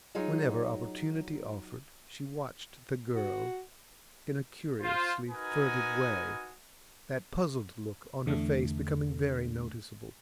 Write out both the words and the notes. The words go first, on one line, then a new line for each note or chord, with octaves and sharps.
Whenever opportunity offered, she watched the girl in a curiously furtive way, that puzzled look on her face becoming very noticeable.
F#3 D#4 F4 G#4 C#5 D#5
F#4
F4 C5
D#4 F#4 A#4 B4 G#5 D#6
E2 D3 A3